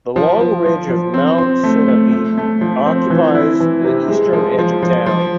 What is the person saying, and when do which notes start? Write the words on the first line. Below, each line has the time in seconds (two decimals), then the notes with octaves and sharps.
The long ridge of Mount Sunapee occupies the eastern edge of town.
0.16 F3
0.41 F3
0.65 F3
0.89 F3
1.14 C4
1.38 C4
1.64 A3
1.88 A3
2.12 A3
2.38 A3
2.61 F3
2.86 C4
3.10 E3
3.35 E4
3.60 E3
3.84 C3
4.08 G#3
4.33 F3
4.58 F3
4.83 F3
5.06 F3